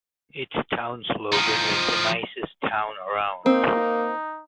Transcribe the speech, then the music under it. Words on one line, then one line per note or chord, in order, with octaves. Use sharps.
Its town slogan is The Nicest Town Around.
F3 D#4
A#3 C4 D#4